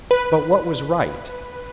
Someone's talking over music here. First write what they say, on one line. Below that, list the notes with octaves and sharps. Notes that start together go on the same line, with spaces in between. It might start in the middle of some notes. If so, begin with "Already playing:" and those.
But what was right?
B4